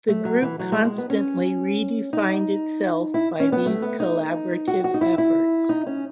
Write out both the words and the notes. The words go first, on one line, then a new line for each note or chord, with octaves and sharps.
The group constantly redefined itself by these collaborative efforts.
A3
F#3
E3
F#3
G#3
G#3
B3
C#4
D#4
E4
C#4
B3
A3
B3
D#4
F#4
F#4
D#4
E4
E4
D#4
C#4